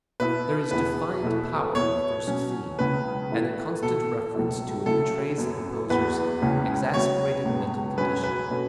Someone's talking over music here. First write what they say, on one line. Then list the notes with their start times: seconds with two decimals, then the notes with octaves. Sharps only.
There is defiant power in the first theme, and the constant reference to it betrays the composer's exasperated mental condition.
0.20 B2 B3 E4 B4
0.71 E2 E3 B3 B4
1.23 B2 A3 E4
1.75 B2 B3 E4 C#5
2.27 B2 F#3 C#4 F#4
2.79 C#2 C#3 E3 B3 B4
3.31 A2 E3 A3 E4
3.82 B2 B3 F#4 A4
4.34 C#2 B2 F#3 A3 E4
4.86 C#3 F#3 A3 E4 A4
5.38 F#2 F#3 B3
5.89 E2 E3 B3 F#4 B4
6.42 C#2 C#3 E3 C#4
6.94 C#3 F#3 B3 F#4 C#5
7.45 C#2 B2 B3
7.97 F#2 F#3 C#4 B4
8.23 B4
8.50 B2 A3 C#4 F#4